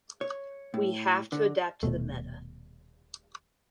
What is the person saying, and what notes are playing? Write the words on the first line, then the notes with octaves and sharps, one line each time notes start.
We have to adapt to the meta.
C#5
A2
D3
D#1 D#2 B2 A3